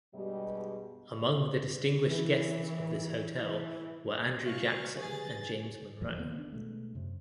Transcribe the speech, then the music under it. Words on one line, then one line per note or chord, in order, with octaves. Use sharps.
Among the distinguished guests of this hotel were Andrew Jackson and James Monroe.
G2 B2 G3 G#3 G4 D#5
E3
E3
G#3 F#4 F5 C#6
G4 G#4 B4 A6
E1 E2 F3 G3
D#3 A#3 B3
D4
B2 G#3 A3
F#2 C3